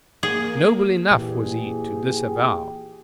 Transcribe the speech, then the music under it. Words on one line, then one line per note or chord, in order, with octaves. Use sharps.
Noble enough was he to disavow!
A#3 G#4
A#2 E3 G4 G#4